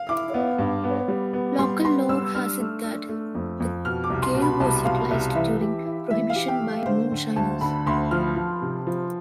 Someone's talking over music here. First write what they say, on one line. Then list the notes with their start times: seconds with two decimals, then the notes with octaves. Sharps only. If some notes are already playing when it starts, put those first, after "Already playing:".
Local lore has it that the cave was utilized during Prohibition by moonshiners.
Already playing: F5
0.09 E4 D6
0.34 B3
0.59 G2
0.84 B3
1.08 G3
1.33 B3
1.59 G3 C6
1.84 B3 C6
2.09 G3 E6
2.35 D4 F6
2.60 A3
2.84 D4
3.09 A3
3.35 F2
3.60 F2
3.85 B2 F6
4.04 D6
4.10 C2
4.22 C6
4.35 B2
4.42 B5
4.60 C2 A5
4.85 B2 F5
5.10 C2 E5
5.35 E3 E5
5.61 G4
5.85 E4
6.11 E3 E5
6.30 F5
6.35 G4
6.48 G5
6.61 A3
6.86 D3 C5
7.12 D3
7.36 D2 A5
7.61 D3 B5
7.86 D2 C6
8.11 F3 F6
8.36 F3
8.62 C3
8.87 F3